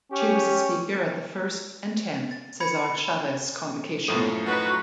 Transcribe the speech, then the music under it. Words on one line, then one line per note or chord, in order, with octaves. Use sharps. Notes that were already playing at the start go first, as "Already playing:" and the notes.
She was a speaker at the first and tenth Cesar Chavez Convocation.
C#4 G4
A6
B5 G#6 C#7
F#2 A2 F3 A4
D#4 F#4 B4